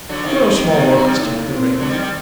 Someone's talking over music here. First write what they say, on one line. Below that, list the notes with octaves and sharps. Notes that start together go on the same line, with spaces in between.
Throw a small Locust into the rigging.
D3 F#3
C3 D#3
C4
C3 D#3 A#3
D3 F#3 C4
D#3 G3
A2
A#3
C4
D3 F#3
D#3 G3
D#3 G3